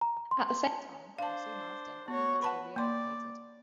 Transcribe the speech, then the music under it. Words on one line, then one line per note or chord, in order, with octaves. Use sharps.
At the same time, or soon after, units were reallocated.
A#5
A#5
C6
C6
A5
D4 C5 F5 A5
B3 F#4 C#5
B4 F#5 A5 B5
A#3 D5 C6